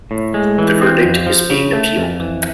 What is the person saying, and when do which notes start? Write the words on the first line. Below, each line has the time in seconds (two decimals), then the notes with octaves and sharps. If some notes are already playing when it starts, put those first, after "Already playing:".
The verdict is being appealed.
0.11 A2
0.34 G#3
0.58 E3
0.81 C4
1.04 F2
1.27 F3
1.50 C#3
1.73 A3
1.97 F2
2.20 E3